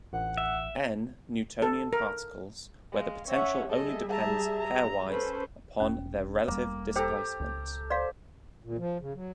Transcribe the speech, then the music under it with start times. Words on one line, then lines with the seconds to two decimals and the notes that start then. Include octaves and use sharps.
"N" Newtonian particles where the potential only depends pairwise upon the relative displacement.
0.13 A1 F#5
0.38 E5
1.62 A4
1.93 A#4
2.92 G#3 F5
3.28 C#4 C#5 E5 F#5
3.69 G3 G#4 A4 D#5 E5
4.09 A5 A#5
4.59 A#5
5.10 C#4 A4 B4 C5
5.80 E1 C#4
6.48 E1 G3 A#3
6.96 G4 A4 C5 G5 A#5 E6
7.40 C#2
7.90 C5 D5 F5
8.63 A#2
8.78 F3
9.00 C#3
9.15 F#3